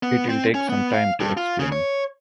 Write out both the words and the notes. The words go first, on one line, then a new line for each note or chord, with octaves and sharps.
It'll take some time to explain.
B3
C4
C#4
B3
F5
G2
F4
C#3
C#5